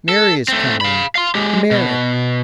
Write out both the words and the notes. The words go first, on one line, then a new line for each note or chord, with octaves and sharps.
Mary is coming! Mary!
A4
A3 C4
F5 B5
F5 C6
G#3 G4
B2